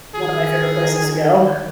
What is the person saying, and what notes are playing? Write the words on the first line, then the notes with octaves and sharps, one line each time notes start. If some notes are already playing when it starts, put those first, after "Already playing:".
one of my favorite places to go.
D#3 G#4